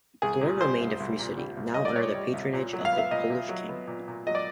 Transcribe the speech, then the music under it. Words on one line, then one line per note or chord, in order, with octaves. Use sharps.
Thorn remained a free city, now under the patronage of the Polish king.
C2 G#4
A#2
G3 C5
C2
C2
A#2
G3
C2
C2 D#5
D5
A#2 C#5
G3
C2
A#2
F#3
F5
B3
E5
A#2 D#5
A#2
F#3
B3
A#2
A#2
F#3 D#5
D5